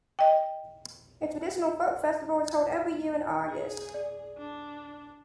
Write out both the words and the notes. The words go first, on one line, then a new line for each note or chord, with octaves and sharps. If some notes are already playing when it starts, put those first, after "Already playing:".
A traditional folk festival is held every year in August.
D#5 G5
G#4
D5
D4